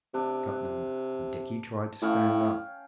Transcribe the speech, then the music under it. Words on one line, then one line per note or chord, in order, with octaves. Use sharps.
He cut them, and Dickie tried to stand up.
C3 D4
A2 C#4 F5 G5